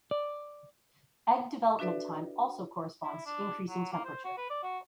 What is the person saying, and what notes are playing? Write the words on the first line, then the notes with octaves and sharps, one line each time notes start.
Egg development time also corresponds to increasing temperature.
D5
D4 F#4 A4 B4 D5 E5
E4
D4
F#3
A#3
C5
F#4
B4
D5
F#4